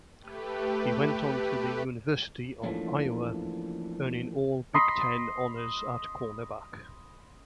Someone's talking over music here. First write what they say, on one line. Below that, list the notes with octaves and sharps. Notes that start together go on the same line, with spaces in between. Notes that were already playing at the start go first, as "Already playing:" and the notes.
He went on to the University of Iowa, earning all-Big Ten honors at cornerback.
A3 G4 B4
E3 F3 A3 A#3 C#4 D4
D#5 B5 C6